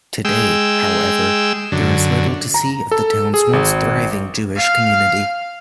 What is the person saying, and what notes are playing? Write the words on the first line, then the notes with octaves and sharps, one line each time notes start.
Today, however, there is little to see of the town's once-thriving Jewish community.
G#3 G5 E6
F#2 D3
A#5
A4
G#4
G#1
F5 F6